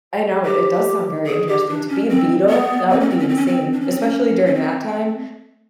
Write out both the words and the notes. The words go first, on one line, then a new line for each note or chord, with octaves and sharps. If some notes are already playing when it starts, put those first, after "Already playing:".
I know it it does sound very interesting to be a Beatle, that would be insane, especially during that time.
G4
G#4
G4
D4
C#4
C4
B3
C4
C#4
C4
C#4
C4
C#4
C4
D4
C#4
C4
C#4
C#4
C4